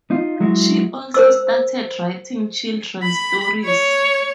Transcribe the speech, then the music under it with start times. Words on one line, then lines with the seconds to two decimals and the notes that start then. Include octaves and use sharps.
She also started writing children's stories.
0.11 D#4 F4
0.40 F#3 G#3 E4 F#4
1.14 A#4 C5 E6
3.03 B5
3.64 C#5